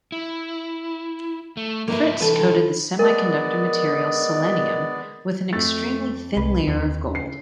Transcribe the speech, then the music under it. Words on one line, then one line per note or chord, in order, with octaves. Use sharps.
Fritts coated the semiconductor material selenium with an extremely thin layer of gold.
E4
A3
G#2 A#3 D#4 B4 E5
E3 D4 A4 B4
G#3 B3 A#4 D5 D#5
F2 A3 A6
C2 B4
D#2
C#3 C7